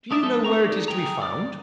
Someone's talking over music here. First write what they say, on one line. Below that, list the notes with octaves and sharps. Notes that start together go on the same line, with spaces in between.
'Do you know where it is to be found?'
A3 D#4 D5 E5
F3 G#3 D#4 A4 E5
C4 A#5 C#6
D#4 G4 D5
G#4 G5 A#5
D5 D6